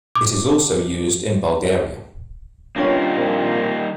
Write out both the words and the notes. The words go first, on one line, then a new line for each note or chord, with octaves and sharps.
It is also used in Bulgaria.
D6
D#3 G3 A#3 B3 C#4 D4 F4 G5
A#2 F3 C4